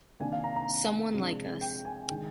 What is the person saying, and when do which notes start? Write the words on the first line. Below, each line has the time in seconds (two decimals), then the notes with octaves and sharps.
Someone like us.
0.20 C3 D#3 A#3 D4 G#5
0.32 F5
0.44 A#5
0.56 A#5
1.14 C3 F3 G#3 D4
1.61 G5
1.85 G#5
2.08 D#3 G#3 D4 G5